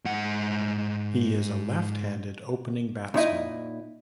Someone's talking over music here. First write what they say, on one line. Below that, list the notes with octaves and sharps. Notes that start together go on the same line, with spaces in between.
He is a left handed opening batsman.
G#2 F#5
A#2 D#4 E4 D#5